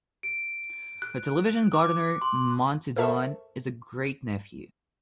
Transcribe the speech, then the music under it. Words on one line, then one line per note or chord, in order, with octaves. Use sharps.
The television gardener Monty Don is a great-nephew.
D7
F#6
D6
C6
A4 A#4 C5 E5 A5 C#6